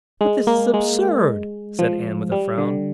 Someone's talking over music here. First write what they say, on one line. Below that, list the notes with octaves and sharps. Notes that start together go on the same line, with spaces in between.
"But this is absurd!" said Ann with a frown.
G#3
A#3
G#3
F3
G3
D3